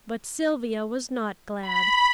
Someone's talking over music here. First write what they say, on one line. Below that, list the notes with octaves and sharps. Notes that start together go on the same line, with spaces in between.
But Sylvia was not glad.
B5